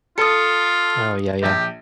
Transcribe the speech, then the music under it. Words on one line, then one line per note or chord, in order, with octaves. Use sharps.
Oh, yeah, yeah.
F4 A4 D#6 C#7
A#1 G4